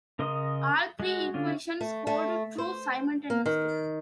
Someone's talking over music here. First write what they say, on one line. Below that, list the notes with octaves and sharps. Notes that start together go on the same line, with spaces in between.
All three equations hold true simultaneously.
C#3 A#4 D#5 C6 D#6
G#3 F#4
D3 C#4 F4
A3
A3
C5
A#3
D#3